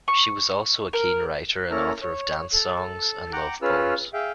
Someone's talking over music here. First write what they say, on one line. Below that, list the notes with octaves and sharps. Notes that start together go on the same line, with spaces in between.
She was also a keen writer and author of dance songs and love poems.
C#6
A#4
A#3 C#4 E4 A4 A#5 F6
C#5
A4
F#5 G5 A#5 D6 F#6
C#4 F4 G#4 B4 E6 F6
G#4 E5 F5 G5